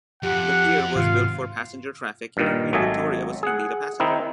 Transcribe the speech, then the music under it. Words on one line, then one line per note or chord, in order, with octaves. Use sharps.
The pier was built for passenger traffic and Queen Victoria was indeed a passenger.
F2 G4 F#5
G#2 C3 F4 F5
G2 A#2 D#3
G#1 F#3 A4 D#5 E5 G#5
G#4 F#5
D#3 C4 D#4 E4